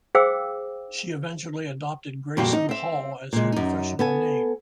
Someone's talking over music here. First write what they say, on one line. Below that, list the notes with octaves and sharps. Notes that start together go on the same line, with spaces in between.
She eventually adopted Grayson Hall as her professional name.
G#4 C5 F5 G5 D6 E6
F2 A#2 G3 F#4 F5 G5
D#4
C4 E5
A#2 G#3
F#2 D#4
B3 A4 G#5